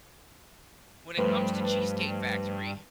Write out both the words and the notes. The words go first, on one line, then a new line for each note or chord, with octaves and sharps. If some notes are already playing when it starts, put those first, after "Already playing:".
when it comes to Cheesecake Factory,
G2 F3 A3 B4 C5